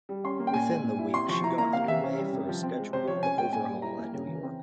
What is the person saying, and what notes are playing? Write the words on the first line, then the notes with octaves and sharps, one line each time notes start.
Within the week she got underway for a scheduled overhaul at New York.
G3
C#4 C6
A#3
G5
A#2 G#5
G#3
A#2
E4
C3 C6
F3 C#6
E4 A#5
A#3 A#5
C3 F5
E3 E5
C#4
G3
C3
F3
C4
G#3
C3 C5
F3 C#5
C#4 G#5
G#3 G5
A#2 G#5
G3
E4 A#5
A#3
C#3
E3
C4